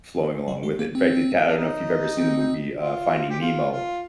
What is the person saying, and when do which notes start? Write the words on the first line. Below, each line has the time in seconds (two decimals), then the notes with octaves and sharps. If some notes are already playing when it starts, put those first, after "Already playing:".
flowing along with it, in fact, it g I don't know if you've ever seen the movie, uh, Finding Nemo,
0.48 G3
0.63 G#3
0.79 A#3
0.95 C4
1.46 D4
1.57 D#4
2.17 C4
2.79 F4
3.30 G4
3.41 F4
3.71 F4